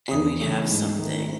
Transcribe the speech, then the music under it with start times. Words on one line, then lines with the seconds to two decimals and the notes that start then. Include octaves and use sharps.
and we'd have something,
0.11 E2 D#6
0.40 C#3 E3 A3
0.70 G#2
0.99 D#3 A3